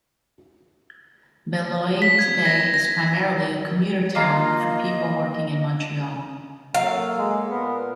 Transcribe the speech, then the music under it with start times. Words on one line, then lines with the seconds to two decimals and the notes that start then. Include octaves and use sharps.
Beloeil today is primarily a commuter town for people working in Montreal.
2.02 B6
2.19 G#6
2.45 A#6
2.74 A#6
4.15 A#3 F4 D#5 A#5
6.75 F#3 A#3 A4 F5
7.18 G#3
7.51 A#2 B3 A#4